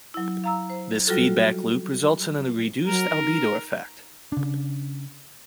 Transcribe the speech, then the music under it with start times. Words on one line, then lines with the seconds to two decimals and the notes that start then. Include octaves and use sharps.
This feedback loop results in a reduced albedo effect.
0.14 F#3 E4
0.44 F5 A#5 E6
0.70 C5
1.07 F#3 G3 F4 F#4 A4
2.85 F#3 A#4
3.10 D#4
4.32 C#3 D4